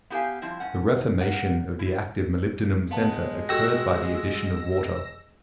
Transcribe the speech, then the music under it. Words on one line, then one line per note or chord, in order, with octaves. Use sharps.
The reformation of the active molybdenum center occurs by the addition of water.
B3 E4 G4 A4 F5 G#5
F3 G3 C4 E4
G2 C#4 F#5
A#3 A#4 F#5
E4
G#3 B3 F5 A5
F#4 G4 A4 G5 E6 A#6